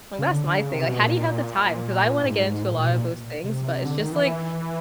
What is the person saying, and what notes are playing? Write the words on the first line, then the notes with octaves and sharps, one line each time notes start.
Well, that's my thing. Like, how do you have the time? 'Cause I wanna get into a lot of those things, but it's just, like
C#3
D3
D3
C#3
C3
B2
A#2
G#2
A2
A#2
B2
A#2
C3
D3
D#3
E3